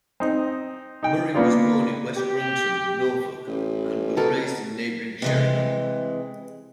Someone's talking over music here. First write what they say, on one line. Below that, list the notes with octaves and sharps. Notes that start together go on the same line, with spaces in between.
Murray was born in West Runton, Norfolk, and was raised in neighbouring Sheringham.
C4 D#4
D#4 G5
A#3 B3 D4 F4
G4
A1
B2 A4 A#4
C3 E3 G#3